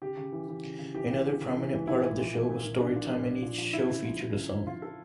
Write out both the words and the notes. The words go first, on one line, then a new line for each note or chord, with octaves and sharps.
Another prominent part of the show was story-time and each show featured a song.
C#3 G4
C#3
E3
E3
C#3
C#3
E3 G4
E3
C#3
C#3
E3
E3
A#2 E4
A#2
F3
F3
A#2
A#2
F3 D4
F3
A#2
A#2
F3
F3
C#3 E4
C#3
F3
F3
C#3
C#3
F3 F4
F3 A4